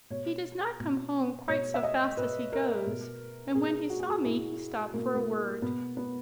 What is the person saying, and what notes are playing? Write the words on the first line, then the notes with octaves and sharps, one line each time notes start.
He does not come home quite so fast as he goes, and when he saw me he stopped for a word.
B2 C#5
B2
B2 C#5
E5
D#5
B2 B4
A#4
B2
B2 G#4
F#4
G#4
F#4
B2 E4
B2 A#3
A#3
B2 B3
B3